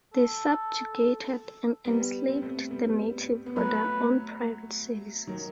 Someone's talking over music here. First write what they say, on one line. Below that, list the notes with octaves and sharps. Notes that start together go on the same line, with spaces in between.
They subjugated and enslaved the natives for their own private services.
A4
G3 B3
C4
A3 C4
G3 B3
B3
F#3 A3 B4
D#3 F#3